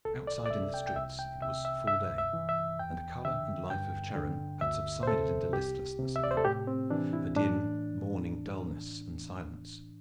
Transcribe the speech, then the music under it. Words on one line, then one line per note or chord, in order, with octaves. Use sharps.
Outside in the streets it was full day, and the color and life of Charin had subsided into listlessness again, a dim morning dullness and silence.
C2 A4
D5
D5
C3 E5
G5
G5
C2 E5
G5
C3 E5
E5
G2 E5
E5
E3
E5
E2 G5
D3 E5
G2 G5
D3
D2 E5
C5
C3 A4
C2 G4
C3
E5
D5
C5
A4
A2 G4
C4
E3 D4
E4
A2 D4